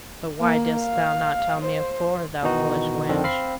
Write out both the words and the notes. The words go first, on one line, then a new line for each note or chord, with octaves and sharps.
'But why didst thou not tell me afore, thou foolish wench?'
A#3
F5
C5
B2 D#3 E3 D#4 F#4
F2 D3 D#3 C4 D4
C4 F5 B5 C7